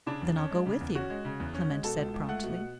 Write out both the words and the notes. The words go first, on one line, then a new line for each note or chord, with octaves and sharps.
"Then I'll go with you," Clement said, promptly.
C#3 D4
E2
C#4
G#3
C#3
E2
C#4 F#4
G#3
C#3
E2
C#4
G#3
B2 A4
C#2
C#2
A3 F#5
B2